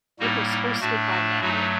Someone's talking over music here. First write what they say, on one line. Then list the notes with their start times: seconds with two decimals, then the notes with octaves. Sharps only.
It was hosted by Mali.
0.19 A2 G3 A#3 D#4 F#4
0.50 D#4
0.80 A2 A3 D4 F#4
1.10 F#4
1.40 G2 F#3 A3 D#4 F#4